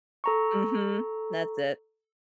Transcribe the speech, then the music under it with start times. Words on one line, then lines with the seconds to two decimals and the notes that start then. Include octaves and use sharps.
Mhm, that's it.
0.24 A4 A#5 C#6